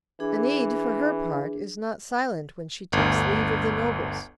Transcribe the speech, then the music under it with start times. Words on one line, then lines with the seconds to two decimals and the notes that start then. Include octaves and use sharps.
Enide, for her part, is not silent when she takes leave of the nobles.
0.20 E3 D4 G#4
2.93 G1 D2